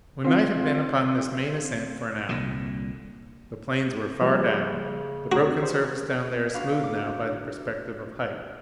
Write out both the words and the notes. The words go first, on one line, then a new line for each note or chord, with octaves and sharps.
We might have been upon this main ascent for an hour; the plains were far down, the broken surface down there smoothed now by the perspective of height.
C4 F4
C2 A#2 D3
C#3 F3 G3 A#3
C#3 C4 D4 F#4 A#5
G4 A#4 C5
D4 F#4 A#4 B4 F5
D6